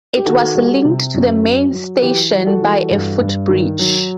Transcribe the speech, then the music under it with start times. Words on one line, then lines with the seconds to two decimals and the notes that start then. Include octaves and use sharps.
It was linked to the main station by a footbridge.
0.17 G4
0.25 D#3 F#4 A4
0.55 G3
0.85 C3
1.14 F#2
1.43 F#3
1.72 F#3
2.02 E3 G4 B4
2.31 G3
2.46 F#4 A4
2.61 E3
2.90 G2
3.20 G2
3.49 D#3
3.79 F#3